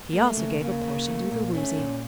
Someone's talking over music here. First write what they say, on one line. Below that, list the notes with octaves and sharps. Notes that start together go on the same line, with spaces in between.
He also gave a portion to the Woozy.
A3 A#3
C#3
C#3 A#3
C#3
A3
A#2
A3 C#4
A#2